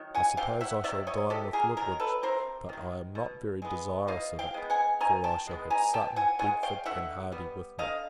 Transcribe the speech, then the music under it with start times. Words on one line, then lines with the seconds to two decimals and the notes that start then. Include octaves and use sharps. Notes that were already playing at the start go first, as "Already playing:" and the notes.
I suppose I shall dine with Lutwidge: but I am not very desirous of it; for I shall have Sutton, Bedford, and Hardy, with me.
Already playing: D#3 F#3
0.15 F#5 G#5
0.37 C3 F5 G5
0.61 E5 F#5
0.84 D#3 F#3 D5 E5
1.07 C#5 D#5
1.30 C3 G4 A4
1.53 G#4 A#4
1.77 D#3 F#3 A#4
2.00 A4 B4
2.23 C3 A#4 C5
2.69 D#3 F#3
3.15 B2
3.62 G#3 B3
4.07 B2 D#5 F5
4.39 F5 G5
4.54 G#3 B3
4.70 F#5 G#5
5.01 B2 G#5 A#5
5.24 G5 A5
5.47 G#3 B3
5.70 G#5 A#5
5.93 B2 G5 A5
6.16 F#5 G#5
6.39 G#3 B3 F#5 G#5
6.63 F5 G5
6.86 D3 E5 F#5
7.32 G3 B3
7.79 D3 D#5 F5